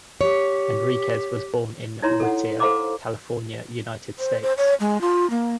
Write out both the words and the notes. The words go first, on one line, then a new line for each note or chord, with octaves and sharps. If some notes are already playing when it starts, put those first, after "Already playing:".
Enriquez was born in Whittier, California, United States.
G4 C#5
D#4 E4 C#5 A#5 C6
A4 F#5
A4 C5 F5 A#5 C6 D6
C5
C5
C#5
G#3
F4
A#3